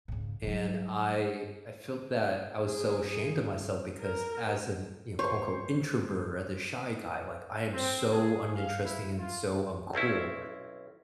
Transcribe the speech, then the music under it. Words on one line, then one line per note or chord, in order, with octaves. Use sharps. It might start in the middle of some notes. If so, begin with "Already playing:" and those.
And I I felt that I was so ashamed of myself because as an, you know, quote, unquote "introvert," as a shy guy, like, I am so uninteresting and so uncool
G#2 C#3
F#3 G3
G#4
A#4
C5 C#5
C4
G#4
F5
E4
F4
B1 C4 C#4 E4